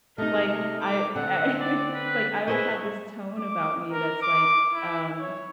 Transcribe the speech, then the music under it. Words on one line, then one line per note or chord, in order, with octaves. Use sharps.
Like I I like, I would have this tone about me that's like, um,
C3 A3 D#4 A#4 D#5
D6
D3 C4 F#5
D5
B4
E4 G#4 B4 C5 D#5 C#6
D6
A#4
D6
E4
C#5